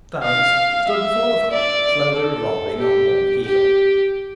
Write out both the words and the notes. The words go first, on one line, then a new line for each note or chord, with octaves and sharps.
Clarence stood before the fire, slowly revolving on one heel.
F5
E5
D5
A4
G4
G4